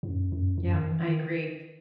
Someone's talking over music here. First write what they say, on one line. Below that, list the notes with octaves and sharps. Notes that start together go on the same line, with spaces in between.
Yeah, I agree,
G#2
F#2
F#2
F#2
D#3
E3
D#3